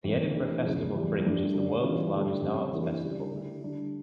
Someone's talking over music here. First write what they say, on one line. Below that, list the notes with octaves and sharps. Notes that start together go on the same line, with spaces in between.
The Edinburgh Festival Fringe is the world's largest arts festival.
F2 E3 A#3
E3 A3 D4 G4
E2 C#3 F3
E2 E3 G3
G2 F3 A3 D4 G4
D3 G3 D4
E3 G3 C#4 F4
D3 A3 D4 G4
F2 C#3 G3
E3 A#3 D4 G4
C#3 G3 D4 F4
D3 A3 E4 G4
D3 G3 D4